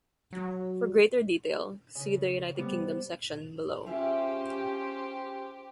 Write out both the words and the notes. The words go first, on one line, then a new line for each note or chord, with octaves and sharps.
For greater detail, see the United Kingdom section, below.
F#3
C#3
C3 G3 B3
C#4 F4 G4 G#4 C5 E5